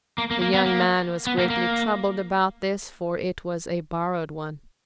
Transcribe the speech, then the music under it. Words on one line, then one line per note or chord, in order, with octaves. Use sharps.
The young man was greatly troubled about this for it was a borrowed one.
A#3
A#3
A#3
B3
A#3
B3
A#3
A#3